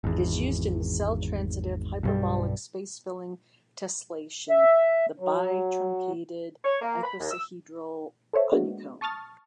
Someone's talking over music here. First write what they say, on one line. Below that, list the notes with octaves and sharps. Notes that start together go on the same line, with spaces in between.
It is used in the cell-transitive hyperbolic space-filling tessellation, the bitruncated icosahedral honeycomb.
G#1 E2
B1 G2 G3
E5
F#3
C#5
A#3
B5
D#2
E6
A4 C5 C#5 E5
G#3 A#3 B3 D4 F#4
A5 C#6 D#6 F6 A6